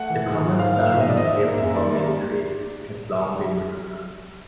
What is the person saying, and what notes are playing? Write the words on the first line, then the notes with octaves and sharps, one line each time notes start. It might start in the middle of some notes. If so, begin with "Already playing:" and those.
The common starling's gift for mimicry has long been recognised.
Already playing: A3 F#5
E3
G#2
F3
G#2 F5
A#3 F5
G#2 E5
D#5
F3 D5
D#5
G#2 E5
A#3
F#2 E5
D#3 D5
A#3
G3